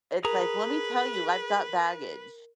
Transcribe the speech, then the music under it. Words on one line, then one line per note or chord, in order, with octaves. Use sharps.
it's like, "Let me tell you, I've got baggage,"
G#4 A#4 B4 A#5